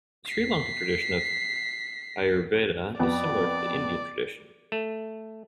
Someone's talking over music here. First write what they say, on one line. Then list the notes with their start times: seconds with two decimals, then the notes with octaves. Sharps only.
The Sri Lankan tradition of Ayurveda is similar to the Indian tradition.
0.27 B6 C7
2.99 F2 B3 D5
4.72 A3